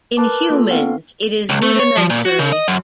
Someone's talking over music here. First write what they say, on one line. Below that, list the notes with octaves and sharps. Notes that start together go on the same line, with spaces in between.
In humans it is rudimentary.
A#4 B4 A5 D6
A#3 F4 A4
B3 C4 F5
C#2
A3
C#5
F3
A#2
F#4
C#3
D#5
F#2